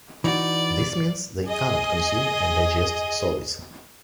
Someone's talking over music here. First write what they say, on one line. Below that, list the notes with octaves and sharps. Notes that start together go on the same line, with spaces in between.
This means they cannot consume and digest solids.
E3 D#4 F#4 D5
G#4 D#5